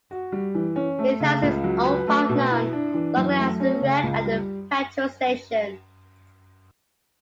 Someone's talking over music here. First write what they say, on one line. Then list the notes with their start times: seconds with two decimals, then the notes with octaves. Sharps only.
It has its own park known locally as the Rec, and a petrol station.
0.11 F#4
0.32 G3
0.55 E3
0.76 C#4
0.98 A3
1.20 C#3
1.42 C#2
1.64 F#3
1.85 B4
2.07 A3
2.29 B2
2.51 E4
2.73 D4
2.94 E3
3.17 F#2
3.38 A3
3.60 C#4
3.82 C#3
4.03 C#2
4.25 G3